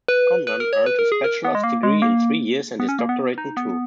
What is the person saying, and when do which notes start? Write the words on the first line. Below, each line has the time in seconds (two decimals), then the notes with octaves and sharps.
Condon earned his bachelor's degree in three years and his doctorate in two.
0.08 B4
0.47 B4
0.60 A#4
0.73 C#5
0.86 B4
0.99 A#4
1.12 G#4
1.24 A#4
1.45 B3
1.55 G#3
1.64 A#3
1.83 G#3
2.02 A#3
2.80 B3
2.89 C#4
2.99 A#3
3.09 B3
3.38 D#4
3.57 B3